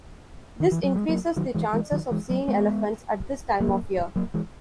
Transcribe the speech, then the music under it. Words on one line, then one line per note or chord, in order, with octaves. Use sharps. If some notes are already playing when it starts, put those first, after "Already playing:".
This increases the chances of seeing elephants at this time of year.
D#3
E3
F#3
G#3
F#3 A#3
D#3 F#3
E3 G#3
E3 G#3
D#3 F#3
E3 G#3
F#3 A#3
G#3 B3
F#3 A#3
F#3 A#3
E3 G#3